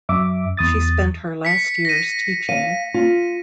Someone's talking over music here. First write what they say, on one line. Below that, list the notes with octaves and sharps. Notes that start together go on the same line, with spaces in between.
She spent her last years teaching.
F#2 E5 D6
E2 D#6 A6
B6 C#7
A#6 D#7
F5 D#7
F4